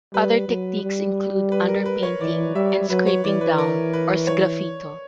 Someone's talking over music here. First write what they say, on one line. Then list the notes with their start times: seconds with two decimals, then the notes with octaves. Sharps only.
Other techniques include "underpainting" and "scraping down" or sgraffito.
0.14 G3 B4
0.48 F#3
0.83 G3
1.52 B4
1.68 A#4
1.86 B4
2.03 C#5
2.21 E3 D5
2.55 G3 E5
2.89 F#3 B4
3.06 C#5
3.24 E3 D5
3.41 B4
3.58 A#4
3.93 B4
4.27 C#5